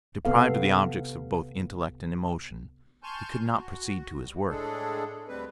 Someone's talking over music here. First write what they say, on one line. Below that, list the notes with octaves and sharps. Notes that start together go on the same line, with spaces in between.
Deprived of the objects of both intellect and emotion, he could not proceed to his work.
C3 B3 A4 F5
G#5 A5 C6 C#6 F6 G6
F#4
G2
A2 G#3 D4 G#4 A4
D2 G3 C4 B4